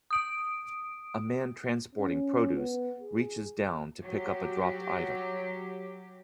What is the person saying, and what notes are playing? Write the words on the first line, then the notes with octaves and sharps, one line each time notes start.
A man transporting produce reaches down to pick up a dropped item.
D#6 D7
C#4
B3
G#4
F#3 G4